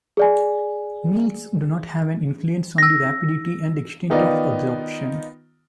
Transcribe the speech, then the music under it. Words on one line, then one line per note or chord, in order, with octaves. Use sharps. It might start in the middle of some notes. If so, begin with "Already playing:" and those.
Meals do not have an influence on the rapidity and extent of absorption.
G#4 D5 G#5
E6 A#6
D#3 B3 D#4 F4 D5